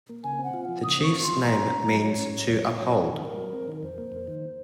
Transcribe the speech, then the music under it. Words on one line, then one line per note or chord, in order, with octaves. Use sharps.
The chief's name means to uphold.
A#3
C#3 G#5
C4 F#5
F4
F3
C#3 D#6
C4 C#6
F4
C6
F3
G#2 A#5
C#4
G#2
F#3
G#2 C#5
C#4
G#2
F#3
G#2
F#3
C4
D#3
G#2 A#4
F#3
C4
D#3
F2 C5
A#3
F2
D#3